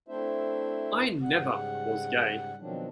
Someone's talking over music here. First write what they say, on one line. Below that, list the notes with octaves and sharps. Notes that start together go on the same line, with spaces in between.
I never was gay.
A3 C4 D4 E4 C5 E5
G#2 C#3 G3 F#5
B2 D#3 F3 F#3 C4 D4